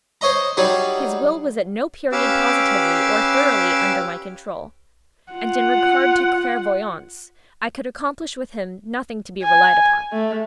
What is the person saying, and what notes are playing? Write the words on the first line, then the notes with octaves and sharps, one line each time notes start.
His will was at no period positively, or thoroughly, under my control, and in regard to clairvoyance, I could accomplish with him nothing to be relied upon.
C5 C#5 D#5 A#5
F#3 G3 D#4 G#4
C#4 G4 B4 F5 D6 E6
F4 F#5
G#5
A3